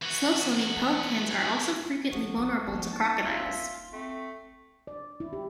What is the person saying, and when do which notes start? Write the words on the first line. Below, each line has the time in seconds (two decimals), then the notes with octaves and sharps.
Slow-swimming pelicans are also frequently vulnerable to crocodiles.
0.02 E3 F#4
2.12 F3 B3 F#4
2.38 A#1
2.68 F3 A#3 C#4 A5
2.93 D#4 A5
3.25 F4 E5
3.93 A3 C4
4.87 D5
5.20 E4
5.33 G4